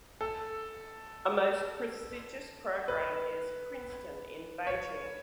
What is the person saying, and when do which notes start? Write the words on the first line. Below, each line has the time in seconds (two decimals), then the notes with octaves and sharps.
A most prestigious program is "Princeton in Beijing".
0.21 A4
2.88 B4
4.67 C#5